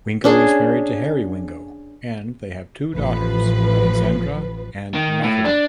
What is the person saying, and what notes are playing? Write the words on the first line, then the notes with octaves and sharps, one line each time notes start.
Wingo is married to Harry Wingo and they have two daughters Alexandra and Natalie.
C#4 D4 G#4
A1 F3 B4
D#3
A2
D4